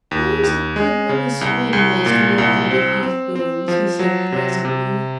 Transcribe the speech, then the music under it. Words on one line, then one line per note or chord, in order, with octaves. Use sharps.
"There's a good many swindles connected with these booms," he said presently.
D#2
D#2
G#3
C#3
C2
C2
A#2
C2
C4
C4
C4
F3
F#3
C3
C3